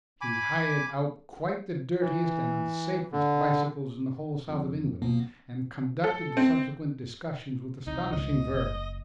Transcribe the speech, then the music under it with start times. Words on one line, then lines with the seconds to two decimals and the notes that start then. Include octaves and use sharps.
He hired out quite the dirtiest and unsafest bicycles in the whole south of England, and conducted the subsequent discussions with astonishing verve.
0.21 G#5 B5 D6
2.01 E3
3.12 D3
4.48 F2
5.02 B1 B2 F3 A#3 B3
6.04 A4
6.37 C4
7.87 C2 D#4
8.13 C#2 G#2 D#5
8.52 F#1